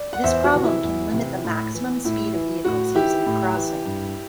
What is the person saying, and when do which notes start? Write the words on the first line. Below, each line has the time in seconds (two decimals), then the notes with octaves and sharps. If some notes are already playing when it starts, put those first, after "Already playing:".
This problem can limit the maximum speed of vehicles using the crossing.
Already playing: D5
0.13 F#5
0.24 E2 C5 E5
0.44 F#4
0.53 C3 E3
0.63 E4
0.84 E2
1.14 C3 E3
1.44 A2
1.75 E3
2.05 A2 E4
2.34 E3
2.65 A2 F#4
2.95 E3 E4 G4
3.26 A2
3.56 E3
3.86 G2